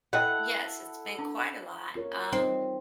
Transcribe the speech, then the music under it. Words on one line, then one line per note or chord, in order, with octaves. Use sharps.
Yes, it's been quite a lot, um,
E4 A4 D#5 F#5 G5
D4
F4 A#4 C#5
F3 G3 C4 D#4